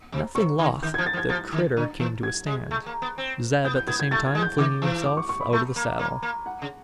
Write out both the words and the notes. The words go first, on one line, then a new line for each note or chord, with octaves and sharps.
Nothing loth, the "critter" came to a stand; Zeb, at the same time, flinging himself out of the saddle.
C3
C3 C#6
D#3
D#3 G6
G#6
F3
A6
F3
G#6
F3 A6
D#3
D3
E3
G#6
G#3
A3
A#3
B3
C4
B3 G6
G6
B3 G#6
G#6
A3 A6
G#6
G#3
G6
D#3 D6
E3
D6
C#6
C#6
B5
A3
A#3
A#3
A#3
F#5
C#3